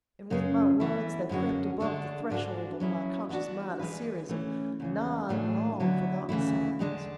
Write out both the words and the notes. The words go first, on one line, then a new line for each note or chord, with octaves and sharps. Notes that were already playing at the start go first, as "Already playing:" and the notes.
And with my words there crept above the threshold of my conscious mind a series of nine long forgotten sounds.
F#2 C#3 G#3 C#4
E3 B3 E4
F#2 D3 G#3 C#4 F#4
D3 G#3 D4 A4
G#2 G#3 D4 F#4 A4
F#3 C#4 E4 G#4
E3 B3 D4 F#4
E3 G#3 D4 G#4 B4
E3 A3 C#4
E2 C#3 E3
A2 E3 A3 D4 G#4
D3 F#3 B3 E4
D2 C#3 E3 A3 E4
E2 D3 G#3 D4